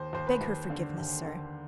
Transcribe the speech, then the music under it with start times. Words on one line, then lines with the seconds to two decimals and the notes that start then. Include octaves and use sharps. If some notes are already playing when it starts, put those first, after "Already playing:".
Beg her forgiveness, sir.
Already playing: D#2 C5
0.13 D#2 C5
0.27 B4
0.41 D#2
0.70 D3
0.98 D#2
1.26 D3